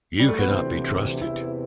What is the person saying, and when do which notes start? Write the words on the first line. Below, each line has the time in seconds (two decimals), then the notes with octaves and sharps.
You cannot be trusted.
0.20 G3
0.29 A3
0.39 B3
0.48 D2 C3 E3 C4
1.21 E2 C3 E3 E4